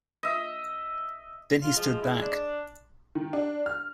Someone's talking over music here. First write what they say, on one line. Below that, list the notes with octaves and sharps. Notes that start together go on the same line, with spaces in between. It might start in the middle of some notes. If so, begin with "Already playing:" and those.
Then he stood back.
D#5 E5
F4
F3 G#3
E4
D4
D#3
D4
F6